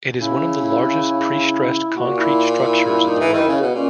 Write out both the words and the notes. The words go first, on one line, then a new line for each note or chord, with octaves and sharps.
It is one of the largest prestressed concrete structures in the world.
C#3 E4
E4
A#2 F#4
E4
E4
E4
D#4
E3
D#3 E4
C#3
B2
A#2 C#4